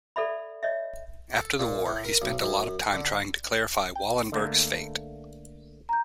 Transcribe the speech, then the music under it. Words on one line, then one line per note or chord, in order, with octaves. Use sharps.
After the war, he spent a lot of time trying to clarify Wallenberg's fate.
A4 D5 E5 B5
C#5 D#5 E5
A4
A#2
A2
A#4
B1
F#2
D3
G5
D3 A3 A#3
A#5 G6